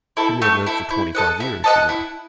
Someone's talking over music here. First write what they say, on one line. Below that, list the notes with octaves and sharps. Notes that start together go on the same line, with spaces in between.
"But you may live for twenty-five years, you know."
E4 A4
A3
E4 A4
E4
A4 D#5 F#5
E4
A4 D#5 F#5
E4